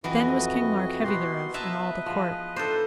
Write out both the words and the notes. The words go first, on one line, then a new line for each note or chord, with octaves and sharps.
Then was King Mark heavy thereof, and all the court.
F2 E3 F#3 F#4 B4 D#5
B2 B3 F#4 G4 C6
B4 D#5 E5 A5 A#5
F3 B3 G#4
D4 D#4 A4 C5